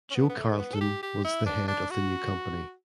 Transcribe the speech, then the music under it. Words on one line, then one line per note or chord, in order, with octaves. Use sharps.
Joe Carlton was the head of the new company.
C#4
B3
B3
A3
B3
A4
G4
G4
E4
D4
D4
F#4